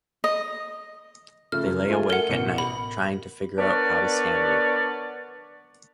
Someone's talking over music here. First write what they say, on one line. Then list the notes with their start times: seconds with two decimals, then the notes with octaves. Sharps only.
They lay awake at night trying to figure out how to scam you.
0.24 D#5
1.52 C#3 F3 A3 F6
1.66 F#2
1.88 A3 F4 G#5
2.10 A#4 F#5
2.29 A1 B2 C#7
2.58 B5
3.58 B3 D4 A#4 B4 C#5 D5